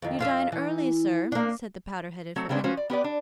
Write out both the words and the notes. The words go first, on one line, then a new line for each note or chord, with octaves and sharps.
'You dine early, sir,' said the powdered-headed footman.
F2 D#3
F2 F4 E5
E3
A#3 D4
F#3 A3 C4
C#3 G#3 B3 C4 D4
F3 C#4 F#4 B4 C5
D5
B3 G4 B4 D5
D4